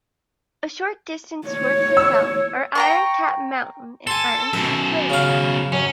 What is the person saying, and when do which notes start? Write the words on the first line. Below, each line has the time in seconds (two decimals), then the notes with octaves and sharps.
A short distance towards the South are Iron Cap Mountain and Iron Cap Lake.
1.48 C#5
1.97 E6
2.75 G5 A#5 C#6
4.07 A4 G#5 C6
4.53 F#2 B2 A4
5.10 C#3 F5
5.72 F#2 C#4